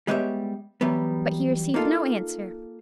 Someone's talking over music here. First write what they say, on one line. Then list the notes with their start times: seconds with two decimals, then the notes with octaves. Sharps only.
But he received no answer.
0.07 G3 G#3 B3 G4 C#5 E5
0.81 E3 F#3 G3 B3
1.74 A#3 D#4 F4 A4